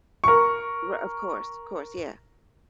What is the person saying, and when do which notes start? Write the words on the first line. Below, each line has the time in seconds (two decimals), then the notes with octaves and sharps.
Ri of course, of course, yeah.
0.24 A#4 C#6